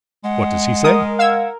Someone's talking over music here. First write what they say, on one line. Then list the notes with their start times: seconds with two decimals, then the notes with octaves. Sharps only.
"What does he say?"
0.24 G#3 F#5
0.84 A#4 D#6
1.19 F5 F#5 E6 G#6